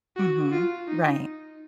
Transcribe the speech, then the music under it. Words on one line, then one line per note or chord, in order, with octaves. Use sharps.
Mhm, right.
F#4
F4
D#4